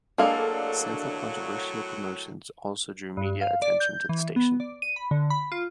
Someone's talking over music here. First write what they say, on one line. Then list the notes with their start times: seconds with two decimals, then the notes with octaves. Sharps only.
Several controversial promotions also drew media attention to the station.
0.18 A2 F#3 G#3 A#3 D4 A4 F5
3.17 G2
3.41 F5
3.62 D5
3.80 G6
4.09 E3
4.36 B3
4.60 D5
4.82 D#7
4.96 B5
5.11 D3
5.30 B5
5.52 F4